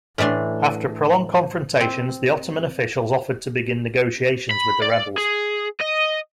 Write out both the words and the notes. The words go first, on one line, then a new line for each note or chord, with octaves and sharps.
After prolonged confrontations the Ottoman officials offered to begin negotiations with the rebels.
A2 E3 A3 D4 C6
C4
B5
D5
G#4
D#5